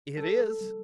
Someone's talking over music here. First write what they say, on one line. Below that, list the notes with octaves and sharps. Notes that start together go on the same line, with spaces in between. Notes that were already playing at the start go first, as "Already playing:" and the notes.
"It is."
G3 A4
G3